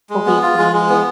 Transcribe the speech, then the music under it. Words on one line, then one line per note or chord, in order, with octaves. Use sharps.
a weekly,
G#3
B3
F4
G#3
G#3
B3